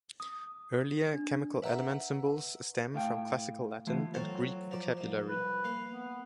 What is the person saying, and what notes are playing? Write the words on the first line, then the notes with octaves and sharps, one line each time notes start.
Earlier chemical element symbols stem from classical Latin and Greek vocabulary.
D#6
D4
B4 E5 F#5 A#5 E6
A2 F5 G5
E3 A3 B3 E4 F4
F#3 C4 F4 A4
F3 D5
C2 F3
B4
A#3 F5
B3